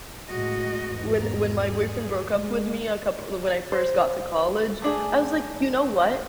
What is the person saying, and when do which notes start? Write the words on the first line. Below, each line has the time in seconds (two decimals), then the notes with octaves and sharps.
When when my boyfriend broke up with me a couple when I first got to college, I was like, "You know what?
0.28 A2 G#3 F#4 D#5
0.84 E2 G#2
1.20 B2 A#3
1.60 G#4
2.33 G#3
3.72 C5
4.82 A3 D4 G#4